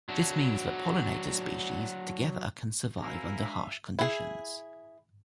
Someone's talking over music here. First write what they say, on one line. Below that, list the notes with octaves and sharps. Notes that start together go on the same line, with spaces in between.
This means that pollinator species together can survive under harsh conditions.
F#3 D4
F#3 C4 E4 A#4 F5 G#5 E6
G#3 D4 E5
E4 G#4